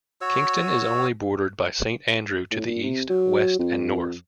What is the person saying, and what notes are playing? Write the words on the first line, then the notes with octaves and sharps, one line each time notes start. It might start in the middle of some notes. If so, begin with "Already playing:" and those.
Kingston is only bordered by Saint Andrew to the east, west and north.
F#4 C#5 E6
A2
A#2
C3
F#3
F2